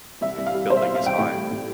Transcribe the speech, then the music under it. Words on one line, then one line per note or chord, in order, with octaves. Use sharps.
The building is high.
C2 E5
C2
F5
G3
C2 C5
E5
F5
B2
F5
C2 G5
A2
G3
A2